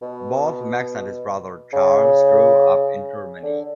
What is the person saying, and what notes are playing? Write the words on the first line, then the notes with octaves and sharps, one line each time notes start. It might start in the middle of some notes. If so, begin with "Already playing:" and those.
Both Max and his brother Charles grew up in Germany.
B2
C#3
D3